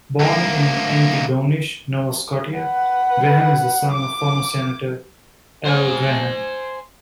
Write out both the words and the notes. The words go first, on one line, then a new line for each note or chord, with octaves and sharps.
Born in Antigonish, Nova Scotia, Graham is the son of former senator Al Graham.
D2 A#3
B4 F#5
D6
C5 G#5